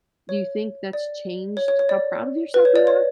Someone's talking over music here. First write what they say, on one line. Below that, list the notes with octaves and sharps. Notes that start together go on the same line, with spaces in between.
do you think that's changed how proud of yourself you are?
C#5
D5
C#5
C#5
C#5
D5
B4
C#5
D5
C#5